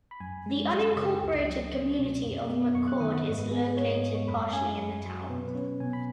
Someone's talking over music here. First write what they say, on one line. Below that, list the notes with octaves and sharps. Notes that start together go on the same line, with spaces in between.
The unincorporated community of McCord is located partially in the town.
B5
F#2 G#5
G#3
F#2 D#6
C#3
C#2
F#3
C#2
B2
F#2
B3
F#2 C#6
F#6
D#3 D#6
F#5
G#2 D#5
B4
B3 G#4
B4
G#2 C#5
D#5
G#3
C#6
F#2 B5
C#4 G#5
F#2
F#3
B2 B4
B4
C#4 C#5
B2 G#5
B5